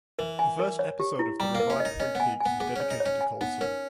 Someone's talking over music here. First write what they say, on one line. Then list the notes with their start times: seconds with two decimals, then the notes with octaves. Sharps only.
The first episode of the revived Twin Peaks was dedicated to Coulson.
0.19 E3 A#4
0.39 G#5
0.59 A#4
0.79 C#5
1.00 G4
1.19 E4
1.40 G3 A#5
1.55 A#3 A#4
1.70 C#4
1.80 D#5
1.85 D#4
2.00 C#4 D#5
2.15 B3 G#5
2.40 G#5
2.46 B3
2.60 B3 G#4
2.76 C#4 C#5
2.90 D#4
3.00 C#5
3.06 C#4
3.21 G#5
3.41 B3 D#4
3.61 C#4 A#4